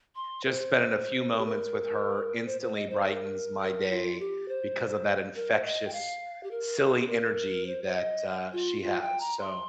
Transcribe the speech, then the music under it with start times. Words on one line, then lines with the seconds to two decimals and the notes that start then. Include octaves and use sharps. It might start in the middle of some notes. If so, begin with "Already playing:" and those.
just spending a few moments with her instantly brightens my day because of that infectious, silly energy that, uh, she has, so,
0.15 C6
0.44 C5
1.31 A#4
1.38 G4
1.46 A#4
2.46 C5
2.61 C5
2.75 D#5
2.90 C5
3.04 A#4
3.62 A#4
3.91 F4
4.20 G4
4.49 C5
5.35 A#4
5.54 C5
5.64 D#5
5.87 G5
5.93 F5
6.43 G4
6.51 A#4
6.79 G4
7.08 A#4
7.66 C5
7.84 C5
7.95 D#5
8.53 F4
8.82 F4
9.01 G5
9.20 A#5
9.40 C6